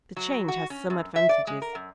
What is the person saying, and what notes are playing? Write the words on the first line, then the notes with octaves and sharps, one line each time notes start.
The change has some advantages.
F#3
F#4
C#4
F#2
E5
D5
G#3
A#4
F#2